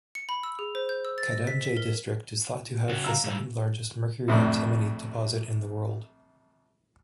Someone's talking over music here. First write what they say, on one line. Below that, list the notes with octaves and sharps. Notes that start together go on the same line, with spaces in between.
Kadamjay district is thought to have the second largest mercury-antimony deposit in the world.
C#7
B5
E6
G#4
C5
G6
E6
A6
D#5
B6
B6
A#4
C#3 F#4 C#5
F5 A#5 E6
G#2 G3
A#1 F2 A2 C3